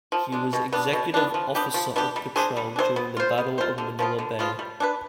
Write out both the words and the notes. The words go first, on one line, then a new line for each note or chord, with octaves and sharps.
He was Executive Officer of "Petrel" during the Battle of Manila Bay.
F3
G#3 D4
B2
B3 D4
B2
B3 D4
F3
B3 D4 G4
F3
B3 D4 G4
G3
D4 G#4 C5
G3
D4 G#4 C5
B3
F4 C5
B3
F4 C5
D3
F3 B3 F4
D3
F3 B3 F4
G3
D4 G#4 B4